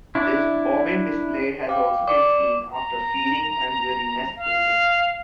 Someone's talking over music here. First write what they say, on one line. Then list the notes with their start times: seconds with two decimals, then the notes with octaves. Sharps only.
This bobbing display has also been seen after feeding and during nest building.
0.15 D4 E4
1.69 F5 G5 D6
2.08 D5 D6 C#7
2.72 A#5
4.36 F5